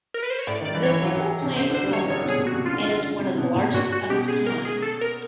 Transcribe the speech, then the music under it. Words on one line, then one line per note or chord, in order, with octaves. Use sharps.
This single plant covers and is one of the largest of its kind.
A#4
B4
C5
C#5
A2 D5
D#3
D5
E3
C#5
E3
F#3
F#3
C3
C#3 C5
D3
C5
G3
C#5
F#3
F3 C#5
B2
G#4
A#2
F#4
C3
C#3 F4
D3
C#3
D3
C#3
C3
B2
A#2
A#2 F#4
F#4
B2 G4
C#3 G#4
A#4
G#4
A4
A#4